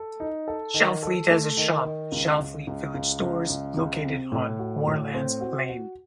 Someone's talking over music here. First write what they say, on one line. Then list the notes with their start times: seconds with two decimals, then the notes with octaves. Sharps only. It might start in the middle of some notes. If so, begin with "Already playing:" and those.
Shalfleet has a shop, Shalfleet Village Stores, located on Warlands Lane.
Already playing: A4
0.20 D#4
0.48 A4
0.74 D#3
1.03 A4
1.30 A3
1.57 D#3
1.84 D#3
2.12 C#2
2.39 C#2
2.67 C#2
2.94 C#2
3.22 C#2
3.50 C#2
3.77 C#2
4.05 C3
4.32 A2
4.59 F#4
4.87 A2
5.14 C4
5.41 F#4
5.69 F#4